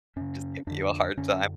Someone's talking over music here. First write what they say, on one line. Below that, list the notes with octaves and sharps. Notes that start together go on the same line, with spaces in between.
just give you a hard time.
F#2 C#3 C#4
F2 D3 D4
F#2 D3 C#4